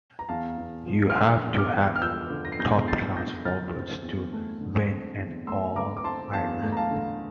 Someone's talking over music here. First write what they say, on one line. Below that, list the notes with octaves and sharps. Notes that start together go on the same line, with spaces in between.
You have to have top class forwards to win an All Ireland.
A#5
E2 F5 A5
E2
F3
F6
D3 C6 E6
E2
D6 F6
E2
F6
F3 E6 G6
D3
A#6
C7
E2 G6 A#6
E2 A6 C7
F3 G6 A#6
D3 F6 A6
C4
E2
A3
D3
C4
E2
A3 C6 E6
D3 A#5 D6
D6
C4 A5 C6
E2 F5 A5
A3
A#5
F5 A5
D3